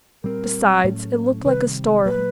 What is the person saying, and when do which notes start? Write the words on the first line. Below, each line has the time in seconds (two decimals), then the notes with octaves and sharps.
Besides, it looked like a storm.
0.24 A#2 G3 C4 A#4
0.84 A2 F#3 A3 C#4
1.45 C3 D#3 G3 C4 B4
2.05 A#2 F#3 A#3 B4